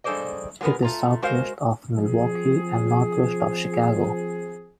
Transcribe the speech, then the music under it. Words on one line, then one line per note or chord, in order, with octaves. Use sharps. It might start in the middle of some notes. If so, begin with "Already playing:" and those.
It is southwest of Milwaukee and northwest of Chicago.
G2 G#4 A4 C5 D5 D#5
F#3 G#3 B3 A#4 B4
A3 F4 A#5
G#3 F#4 A#4 C5 F5
F3 C4 G#4